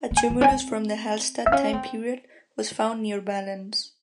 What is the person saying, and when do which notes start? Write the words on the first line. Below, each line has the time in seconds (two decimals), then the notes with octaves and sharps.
A tumulus from the Hallstatt time period was found near Ballens.
0.11 A#3
0.17 G#5
0.30 A#3
0.41 C#4 G#5
0.51 C4
1.46 C4 E5
1.52 C#4 F5
1.73 C4